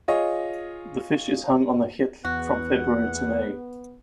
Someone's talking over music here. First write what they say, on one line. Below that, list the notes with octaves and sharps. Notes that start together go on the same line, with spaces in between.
The fish is hung on the "hjell" from February to May.
F4 G#4 C#5 D#5
E2 B3 F#4 F#5